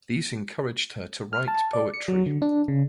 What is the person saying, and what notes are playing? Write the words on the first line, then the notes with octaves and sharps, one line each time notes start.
These encouraged her to write poetry.
F6
A5
D5
C#7
F#3
D3
D4
C#3